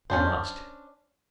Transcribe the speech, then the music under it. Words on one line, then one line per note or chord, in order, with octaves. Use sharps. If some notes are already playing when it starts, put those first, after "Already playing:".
We must.
C#4 D4 C5